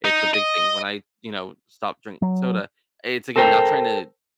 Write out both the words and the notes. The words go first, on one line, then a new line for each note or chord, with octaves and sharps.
it's a big thing. When I, you know, stop drinking soda, it's, again, not trying to
D#4
D#5
F#3
A4 A#4 C5 G5 A#5